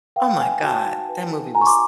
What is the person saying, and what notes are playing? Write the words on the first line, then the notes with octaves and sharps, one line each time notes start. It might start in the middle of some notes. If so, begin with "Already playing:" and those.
oh my god. That movie was
B4 F5 G5
D#4 F#5 G#5
F#4 G5 A5
D#4
B4
D#4
F#4 G#5 A#5
C#6
C6 D6